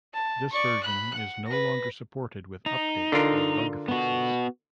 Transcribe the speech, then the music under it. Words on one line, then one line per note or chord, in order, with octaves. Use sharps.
This version is no longer supported with updates or bugfixes.
A5
D5 C#6
B5 F#6
F#5
B4 A#6
D#4
D3 F4 A#4
B3 F#4